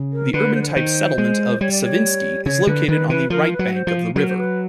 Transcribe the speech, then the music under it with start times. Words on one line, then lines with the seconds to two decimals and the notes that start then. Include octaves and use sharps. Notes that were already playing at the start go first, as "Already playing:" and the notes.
The urban-type settlement of Savinsky is located on the right bank of the river.
Already playing: C#3
0.12 A#4
0.33 D3 B4
0.54 C5
0.62 B4
0.69 C5
0.76 D#3
1.18 G#3
1.61 G3 C#5
1.72 D5
1.83 C#5
2.45 C#3 C#5
2.67 D3 B4
2.88 D#3 B4
3.10 E3 B4
3.30 F3 A#4
3.52 B4
3.59 F#3
3.73 C5
3.87 F3
4.16 F#3 A#4
4.29 C5
4.38 B4